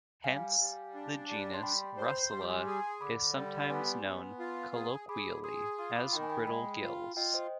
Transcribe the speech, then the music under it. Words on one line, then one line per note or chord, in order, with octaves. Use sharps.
Hence the genus "Russula" is sometimes known colloquially as "brittle gills".
G3 F5 G#5
G3
D4
G3
C6
G3 G5 B5
C5
G3 C6
D6
G#5 C6
G#4
D3 B5 D6
G3
B5
B3 G#5 C6
B3
F4
G#4
D#6
G#4 B5 D6
G#4 C6 D#6
F4 C6 D#6
B5 D6
D#3 G5 B5
G#5
G5 B5
G#3 G5 B5
F4
F4 D#5 G5
C5 D#5